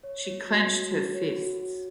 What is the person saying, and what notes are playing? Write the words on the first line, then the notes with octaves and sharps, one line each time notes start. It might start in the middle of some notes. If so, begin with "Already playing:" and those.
She clenched her fists.
C#5
C#5
F#4
F#4
F#4
C#5
F#4
F#4